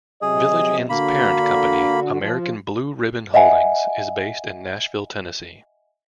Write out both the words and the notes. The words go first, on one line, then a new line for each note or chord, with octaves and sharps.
Village Inn's parent company, American Blue Ribbon Holdings, is based in Nashville, Tennessee.
C3 F#3 G#4 D#5
D3 A#3 F#4 B5
F3
D#5 E5 F#5 G#5